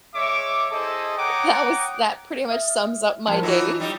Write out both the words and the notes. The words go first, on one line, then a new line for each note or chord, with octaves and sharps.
That was that pretty much sums up my day.
G#3 C#5 E5 D6
E4 G#4 A4 C5 D#5
C#5 F#5 G5 A#5 D6 D#6
E5 D#6 F6
F2 A2 A#4 A5
E3 D#4 F4 F#4 C#5 D6
G3 D#4